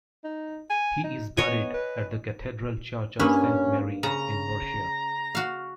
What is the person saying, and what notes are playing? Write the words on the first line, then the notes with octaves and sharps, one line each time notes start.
He is buried at the Cathedral Church of Saint Mary in Murcia.
D#4
G#5
D#4
B3 C#5 D#5 G#5
B4
G2 A#3 C#4 B4
C#3 A#5
F#4 F5